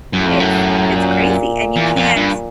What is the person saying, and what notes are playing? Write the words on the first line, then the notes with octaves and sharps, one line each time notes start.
it's it's crazy, and you can't
F#2 A2
F2
F#2
A#2
E2
F2
G2